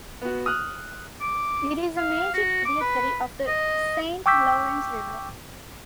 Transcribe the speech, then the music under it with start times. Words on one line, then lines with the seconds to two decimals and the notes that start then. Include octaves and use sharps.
It is a major tributary of the Saint Lawrence River.
0.22 B3 F#4
0.46 D#6 F6 F#6
1.21 D6
1.98 F5
2.34 F#4
2.65 D6
2.81 B4
3.47 D#5
4.26 G5 C#6 D6 E6 G6 B6